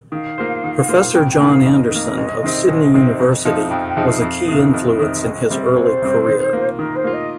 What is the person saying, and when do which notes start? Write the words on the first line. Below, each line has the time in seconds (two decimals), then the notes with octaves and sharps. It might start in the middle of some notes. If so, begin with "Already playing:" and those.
Professor John Anderson of Sydney University was a key influence in his early career.
0.12 D#3 F5
0.38 A#3 F4 C5
0.63 D#3
0.89 A#3 F4 C5
1.14 F2 G5
1.31 G5
1.40 D#3 A#3
1.49 F5
1.66 F2 D#5
1.91 D#3 A#3
2.17 C2
2.43 C3 D#3 C4
2.68 C2
2.94 C3 D#3 C4
3.19 F2
3.45 C3 F3 D#4
3.70 F2 G5
3.89 G5
3.97 C3 F3 D#4
4.05 F5
4.22 F2
4.48 C3 D#3
4.73 F2 D#5
4.99 C3 D#3
5.24 C2
5.50 C3 G3 C4
5.76 C2 C5
6.02 C3 G3 C4
6.27 D#3
6.53 A#3 F4
6.78 D#3 A#4
6.95 C5
7.04 A#3 F4
7.13 D#5